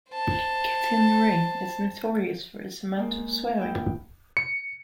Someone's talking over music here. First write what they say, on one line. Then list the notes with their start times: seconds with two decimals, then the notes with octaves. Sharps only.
"Get in the Ring" is notorious for its amount of swearing.
0.11 C5 A5
2.96 G#3 A#3
3.57 G#2 E4 G5
4.37 C#7